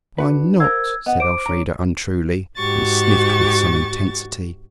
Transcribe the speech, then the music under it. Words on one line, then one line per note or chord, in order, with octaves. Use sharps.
"I'm not," said Elfrida untruly, and sniffed with some intensity.
D4 F#4 B4
A#4 C5 F5 E6 G#6
B3 D#5 F#5
C5 D6 D7
C#4 A#5
G#2 F#4 G4 C#6 A6